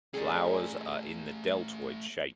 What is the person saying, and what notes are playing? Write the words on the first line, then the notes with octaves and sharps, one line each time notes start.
Flowers are in the deltoid shape.
G3 A3 C#4 G#4